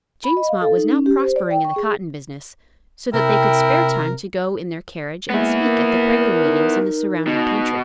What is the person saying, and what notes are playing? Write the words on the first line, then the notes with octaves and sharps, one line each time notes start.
James Mott was now prospering in the cotton business, so that they could spare time to go in their carriage and speak at the Quaker meetings in the surrounding country.
B5
D#5
F5
A4
D#4
C#4
G4
C5
D5
G5
C#6
G#4
C3 E4 A#4 G5
G#3 A#3 B3 E4
A#4
D#4
B2